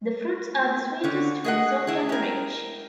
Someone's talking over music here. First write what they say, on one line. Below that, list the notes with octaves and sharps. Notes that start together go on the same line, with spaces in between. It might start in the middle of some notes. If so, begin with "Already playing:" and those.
The fruits are the sweetest when soft and orange.
D3 C#4
G#4 D#5 F#5
E4 G#4
G4 A#4